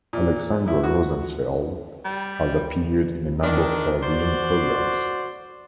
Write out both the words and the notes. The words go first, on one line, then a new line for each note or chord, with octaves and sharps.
Alexandra Rosenfeld has appeared in a number of television programs.
A#2
E4
F#4
G3
D#3 D4
F#4 C5 D5